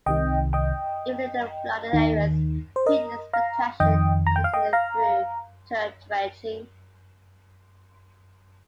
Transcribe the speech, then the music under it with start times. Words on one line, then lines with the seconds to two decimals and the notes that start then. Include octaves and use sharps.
Even in flooded areas, peat extraction continued through turf dredging.
0.06 C2 C3 D#3 D#5 G5
0.53 D#5 G5
1.93 D#2 D#3
2.76 C5
2.86 A#4 D#5
3.33 F5 A#5
3.80 F2 D#3 D#5 G5
4.27 A#5
4.36 G5
4.44 F5
4.53 D#5 G5
4.73 F5 A#5